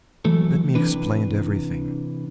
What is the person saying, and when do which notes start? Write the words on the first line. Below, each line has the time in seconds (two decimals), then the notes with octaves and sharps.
Let me explain everything.
0.25 E3 F#3 A3 A4
0.75 C3 E3 D4 B4